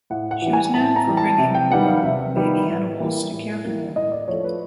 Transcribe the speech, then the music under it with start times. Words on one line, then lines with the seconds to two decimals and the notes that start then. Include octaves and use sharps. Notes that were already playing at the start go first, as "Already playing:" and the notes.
She was known for bringing home baby animals to care for them.
0.10 A2 F#5
0.31 F#5
0.42 E3 G3
0.53 G#5
0.74 A2 A5
0.96 A#5
1.07 E3 G3
1.17 A5
1.38 C3
1.55 G5
1.70 D#3 G3 B3 F#5
1.86 F5
2.03 C3 E5
2.36 D#3 G3 B3
2.67 A2
3.00 E3 G3 A#3
3.32 A2
3.65 E3 G3 A#3
3.96 A2 D#5
4.12 D5
4.28 F3 A3 C#5
4.44 B4